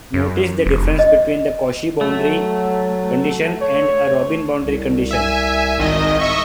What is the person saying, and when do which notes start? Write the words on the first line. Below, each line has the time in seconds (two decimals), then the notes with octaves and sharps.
Notice the difference between a Cauchy boundary condition and a Robin boundary condition.
0.14 F#2
0.66 F1
0.99 D#5
2.01 F#3 A3
3.62 C#5
4.56 C2
5.11 E5 G#5
5.78 G#1 D#3 D#5
6.19 D#5 E5 C#6